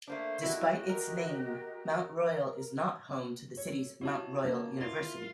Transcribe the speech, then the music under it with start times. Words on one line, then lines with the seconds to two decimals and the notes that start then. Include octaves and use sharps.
Despite its name, Mount Royal is not home to the city's Mount Royal University.
0.07 A3 A#3 D4 C5
0.43 E4 F#4 G4 D#5
0.89 A#4
3.57 A4 C#5
4.01 E4 F#4 G4 C#5 A5
4.44 C#3 A#3 F4
4.80 E4 F4 A#4